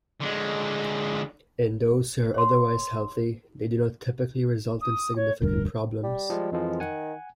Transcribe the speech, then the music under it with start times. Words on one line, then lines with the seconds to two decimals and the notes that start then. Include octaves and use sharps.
In those who are otherwise healthy they do not typically result in significant problems.
0.20 D3 G#3
2.34 C#5 C6
4.81 D#6
5.15 C#5
5.42 E1 D2 G2 A#4
6.03 G3
6.30 F3 G#3
6.52 F2 E3 F3 G#3
6.80 D#3 F#5 G#5